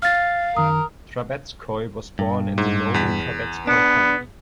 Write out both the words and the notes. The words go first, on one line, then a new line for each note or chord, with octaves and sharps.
Trubetskoy was born in the noble Trubetskoy family.
F5 F6 A6
F#2 D#3 A#4 D#6
G2
G#2
E2 B6
B3 D4